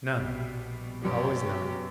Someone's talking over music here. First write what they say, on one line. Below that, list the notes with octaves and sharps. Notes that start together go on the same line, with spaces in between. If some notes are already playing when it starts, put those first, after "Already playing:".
None--always "none."
A#1 B2 G3
F#2 B2 G3 C#4 G4